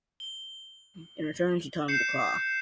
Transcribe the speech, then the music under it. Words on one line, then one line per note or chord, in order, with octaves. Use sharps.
In return, she taught him the 'Claw'.
G7
G6 C7 C#7 E7